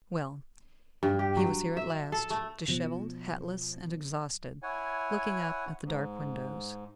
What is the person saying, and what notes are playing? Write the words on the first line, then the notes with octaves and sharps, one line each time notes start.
Well, he was here at last, dishevelled, hatless and exhausted, looking up at the dark windows.
G2
G4
F#3
E5
A4
A3
B2 F3
E4 C#5 F#5 G#5
G#2